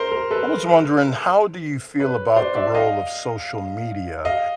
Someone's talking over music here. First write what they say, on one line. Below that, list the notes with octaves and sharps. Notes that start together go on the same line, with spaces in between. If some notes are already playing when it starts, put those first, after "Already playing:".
I was wondering, how do you feel about the role of social media
Already playing: A#4 C5
A#4
A4 B4
B4 C#5
C5 D5
D5 E5
D#5 F5
D#5 F5